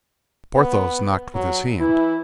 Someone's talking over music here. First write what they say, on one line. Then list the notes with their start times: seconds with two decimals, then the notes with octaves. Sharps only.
Porthos knocked with his hand.
0.55 B3
1.34 F#3
1.80 E3 E4